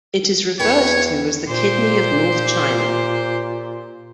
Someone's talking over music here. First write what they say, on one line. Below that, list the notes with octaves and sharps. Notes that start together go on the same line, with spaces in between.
It is referred to as the Kidney of North China.
E2 B4 C#5 G5
A#2 G4 C5